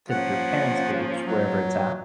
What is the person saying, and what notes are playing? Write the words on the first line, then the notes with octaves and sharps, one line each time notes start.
to th your parents' age, wherever it's at,
F3 A#3 C#4 F#5
F#3